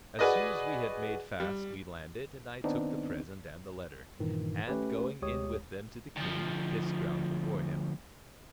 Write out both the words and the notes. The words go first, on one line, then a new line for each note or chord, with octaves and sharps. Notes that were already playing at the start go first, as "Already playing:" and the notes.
As soon as we had made fast we landed and I took the present and the letter; and, going in with them to the King, kissed ground before him.
F#4 G#4 B4 D5 D#5
G3
D#3 B3 C4 D4 D#4
G2 A#2 D#3 E3
A3 C#4 G4 B4
D2 G#3 G4 C#5 D#6
D2 F3